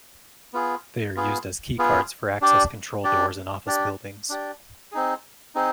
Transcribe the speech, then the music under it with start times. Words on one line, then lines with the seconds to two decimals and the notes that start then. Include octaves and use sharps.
They are used as keycards for access control doors in office buildings.
0.53 B3 F4 G#4
1.16 B3 F4 G#4
1.79 B3 F4 G#4
2.41 D4 G4 D5
3.04 D4 G4 D5
3.67 D4 G4 D5
4.30 D4 G4 D5
4.92 C4 D#4 G#4
5.55 C4 D#4 G#4